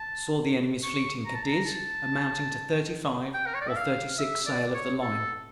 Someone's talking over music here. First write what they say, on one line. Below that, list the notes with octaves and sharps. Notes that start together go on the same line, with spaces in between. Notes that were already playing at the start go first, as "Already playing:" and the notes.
Saw the Enemy's Fleet in Cadiz, amounting to thirty-five or thirty-six sail of the line.
Already playing: A5
C#6
A#5
A5
A#5
A5
G5
A#4
C#5
D5
E5
F5
E5
D5
C#5
A4